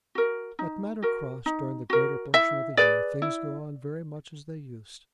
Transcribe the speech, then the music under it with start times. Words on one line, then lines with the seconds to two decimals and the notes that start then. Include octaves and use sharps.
At Manor Cross during the greater portion of the year things go on very much as they used.
0.15 F#4 A#4
0.59 D#4
1.02 F#4 A#4
1.46 D#4
1.90 F#4 A#4
2.34 E4 E5
2.77 G#4 B4 D5
3.22 E4